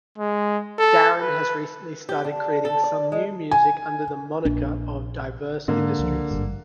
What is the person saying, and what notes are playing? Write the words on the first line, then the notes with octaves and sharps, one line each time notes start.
Darren has recently started creating some new music under the moniker of Diverse Industries.
G#3
A4
B4
G4
D4
A4
D5
G#3
G#5
A#1 D4
G#2 D3 A#3
C#2 F3
G#1 G2